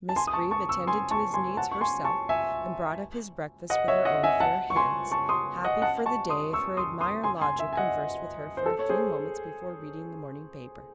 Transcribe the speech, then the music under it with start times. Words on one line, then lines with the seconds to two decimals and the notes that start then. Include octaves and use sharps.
Miss Greeb attended to his needs herself, and brought up his breakfast with her own fair hands, happy for the day if her admired lodger conversed with her for a few moments before reading the morning paper.
0.09 A5
0.16 G#5 C6
0.27 D#6
0.33 A5 C#6
0.51 A5 C#6
0.69 C#6 E6
0.87 G#5 C6
1.11 A5 C#6
1.34 G#5 C6
1.57 F#5 A5
1.72 C#6
1.81 G#5 C6
2.05 A5 C#6
2.29 E5 G#5
3.70 D#5 F#5
3.88 C#5 E5
4.05 D#5 F#5
4.23 E5 G#5
4.40 F#5 A5
4.70 C#6
4.76 G#5 C6
5.12 A5 C#6
5.29 C6 D#6
5.64 D#5 F#5
5.82 F#5 A5
6.06 A5 C#6
6.29 C6 D#6
6.53 C#6 E6
6.77 C6 D#6
7.01 C6 D#6
7.23 G#5 C6
7.41 G#5 C6
7.59 E5 G#5
7.73 G#5
7.77 D#5 F#5
8.57 C5
8.66 A4
8.79 C#5
8.89 G#4 C5